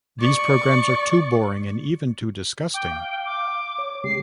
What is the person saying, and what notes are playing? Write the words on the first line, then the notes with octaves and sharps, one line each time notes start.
These programs are too boring and even too disgusting!
D5 C#6
G5 D6
F5
D6
C#5
C#3 G#3 G4 C7